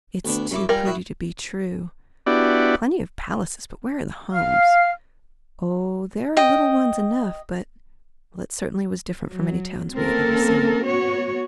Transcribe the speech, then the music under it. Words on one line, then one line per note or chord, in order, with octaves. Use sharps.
"It's too pretty to be true." "Plenty of palaces, but where are the homes?" "Oh there are little ones enough--but--." It certainly was different from any towns we had ever seen.
D2 B3 D4
F#2 E4 D6
G3 F4 A#4 G#5
E4 F#4 D#6
B3 D4 E4 F#4 G4 D5
F5 F6
D#5 G5
F#3
A#3 C4 C#4 A4 A#4
B3 F#4 C#5